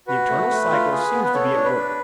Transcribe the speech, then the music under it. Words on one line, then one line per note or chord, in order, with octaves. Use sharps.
The eternal cycle seems to be at work.
F#4 B4
A3
A3
F4
G#4
B3
B4
A4 C#5
D4
B4
D4